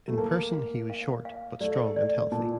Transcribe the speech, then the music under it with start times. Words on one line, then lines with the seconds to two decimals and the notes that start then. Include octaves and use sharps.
In person, he was short, but strong and healthy.
0.08 A3
0.18 A#3 A5
0.53 F5
0.90 F5
1.25 F5
1.61 A3 D5
1.96 D5
2.32 A#2 A5